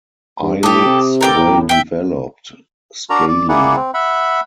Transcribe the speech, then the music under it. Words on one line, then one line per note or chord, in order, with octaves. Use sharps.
Eyelids well developed, scaly.
G2
A2 G4 A4 D6 D#6
C3
B2 A4 A#4 G5 D6
E2 A2
E5 G5
D4 F#4 A#4 D5 A#5
D5
A#3 E4 G#4 D5 F#5
C4
E5 F#5 B5